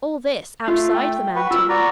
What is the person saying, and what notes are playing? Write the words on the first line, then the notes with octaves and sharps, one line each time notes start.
All this outside the mountain!
A3 F4
G5
F#4 B4
F4 A#4 E6
F#4 D5 A#5